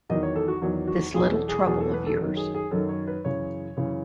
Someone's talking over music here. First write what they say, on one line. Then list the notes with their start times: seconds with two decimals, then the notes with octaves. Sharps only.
This little trouble of yours.
0.10 E2 D#3 F#3 D#5
0.23 C#5
0.36 A4
0.48 F#4
0.62 E2 D#3 F#3
0.87 F#4
1.14 E2 B2 F#3 G#4
1.32 A4
1.49 G#4
1.67 E2 B2 F#3 G#4
1.80 A4
1.93 B4
2.07 A4
2.19 F#2 D#3 F#3
2.37 G#4
2.55 G#4
2.71 F#2 D#3 F#3 A4
2.89 C#5
3.07 B4
3.24 F#2 C#3 E3 C#5
3.77 F#2 C#3 E3